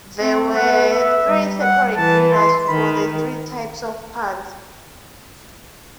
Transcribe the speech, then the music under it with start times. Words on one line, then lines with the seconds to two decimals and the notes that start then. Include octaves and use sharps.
There were three separate readers for the three types of cards.
0.21 C4
0.56 B3 F#5
0.92 E5
1.27 G3
1.61 F#5
1.97 E3 A5
2.33 C6
2.68 D#3 B5